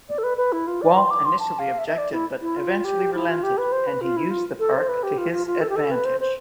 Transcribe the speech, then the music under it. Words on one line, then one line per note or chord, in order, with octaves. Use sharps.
Walt initially objected, but eventually relented, and he used the park to his advantage.
D5
A4
B4
B4
E4
F4
D5
C6
D6
C6
A5
F5
E5
E5
D5
E4
E4
F4
G4
E4
F4
G4
B4
C5
B4
F4
E4
F4
A4
C5
B4
G4
F4
F4
F4
A4
G4
A4
B4
C5
C5